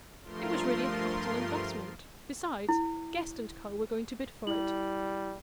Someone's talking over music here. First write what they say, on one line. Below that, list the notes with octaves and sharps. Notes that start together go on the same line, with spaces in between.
It was really a capital investment; besides, Guest &Co. were going to bid for it.
G2 F3 A3 F4 A#4 C6
E4
G3 E4 F#7